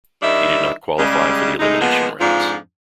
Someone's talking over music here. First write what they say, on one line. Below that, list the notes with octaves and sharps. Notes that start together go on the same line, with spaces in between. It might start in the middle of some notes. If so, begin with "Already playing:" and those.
He did not qualify for the elimination rounds.
D#3 G3 D4 E4 D#5 E5
C#3 G3 G#3
A2 G#3 D#4
A#2 F3 G#3 B3
F2 G#2 F3 D4 F4